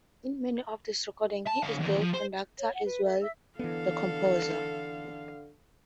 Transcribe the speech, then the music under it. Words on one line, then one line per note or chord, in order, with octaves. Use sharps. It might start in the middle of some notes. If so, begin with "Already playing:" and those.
In many of these recordings, he is the conductor as well the composer.
A5
D3 F5
E2 D#3
F3
C5
C#5
F#5
B4
A4 E5
E5 E6
D3 E3 B3 A4 F5